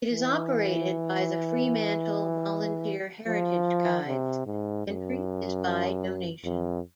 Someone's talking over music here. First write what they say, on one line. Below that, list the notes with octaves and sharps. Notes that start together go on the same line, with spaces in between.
It is operated by the Fremantle Volunteer Heritage Guides; entry is by donation.
E3
F3
C3
G#2
F#2
F2